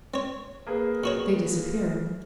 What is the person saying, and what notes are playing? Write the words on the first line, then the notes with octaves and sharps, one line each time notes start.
They disappeared.
C4 C#5
A#3 G#4 B4
B2 F#4 C#5